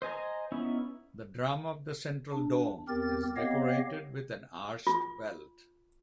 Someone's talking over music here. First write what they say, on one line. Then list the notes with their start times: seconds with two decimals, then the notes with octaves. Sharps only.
The drum of the central dome is decorated with an arched belt.
0.02 C5 D#5 G#5 A#5
0.52 B3 C#4 D#4 E4
2.33 D4
2.88 E2 C4 G4 A#4 A6
3.36 B3 C4 G4 C#5 D#5 F5
4.87 F4